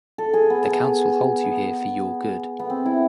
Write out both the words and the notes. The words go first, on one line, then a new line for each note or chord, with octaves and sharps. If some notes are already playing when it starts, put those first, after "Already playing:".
The Council holds you here for your good.
A4
G#4
B3
B3
B3
B3
C4
E4